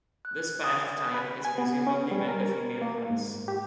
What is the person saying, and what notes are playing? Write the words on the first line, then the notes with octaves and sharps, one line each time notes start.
This span of time is presumably when the female hunts.
F#6
D#6
B4
G#5
B3
C#4
G3
A#4
A#3
G#2
G4